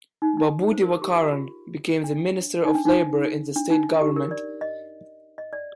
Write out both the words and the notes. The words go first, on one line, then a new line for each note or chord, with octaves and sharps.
Babu Divakaran became the Minister of Labour in the state government.
D#4
D#4
C5
A#4
G#4
G4
F4
G4
F4
D4
D#4
D4
D#4
D4
D#4
G4
A#4
D5
D#5
D#5
D5